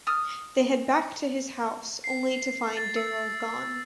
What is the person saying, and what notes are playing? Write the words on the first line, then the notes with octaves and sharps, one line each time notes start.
They head back to his house, only to find Daryl gone.
D#6 F6
C7
A6
E6